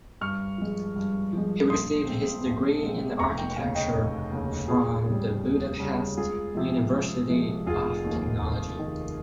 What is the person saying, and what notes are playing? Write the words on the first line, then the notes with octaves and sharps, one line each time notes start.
He received his degree in architecture from the Budapest University of Technology.
G2 C#6 F6
F3 G#3
G2
F3 G#3
A#1 C6 D#6
A#2 G#3 C4
A#1
A#2 G#3 C4
F1 A#5 C#6
G5 A#5
D#2 C#3 F5 G#5
D#5 G5
F1
D#2 C#3
D#2 F4 G#4
C#3 G3
D#2
C#3 G3
C#2 F4 G#4
C3 F3 G#3
C#2
C3 F3 G#3
F1 F4 G#4
D#2 D#3 A#3
F1
D#2 D#3 A#3